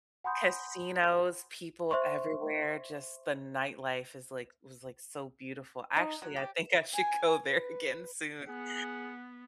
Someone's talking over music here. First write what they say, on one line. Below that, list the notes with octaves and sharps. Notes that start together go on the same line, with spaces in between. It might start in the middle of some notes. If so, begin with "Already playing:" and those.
Casinos, people everywhere, just the nightlife is like was, like, so beautiful, actually, I think I should go there again soon. Uh.
F#5 G#5 B5 C6 D#6 G6
C5 E5 C6 C#6
D#4
F#3
G4
G#5
B4
B3 G#4 F#5